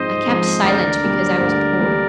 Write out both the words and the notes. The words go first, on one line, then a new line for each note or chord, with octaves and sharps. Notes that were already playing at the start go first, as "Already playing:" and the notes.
I kept silent because I was poor.
Already playing: G#2 F3 G#3 C4 C5 D#5
F3 G#3 C4
D2 A#4 D5
D3 G3 A#3 D4
D2
D3 G3 A#3 D4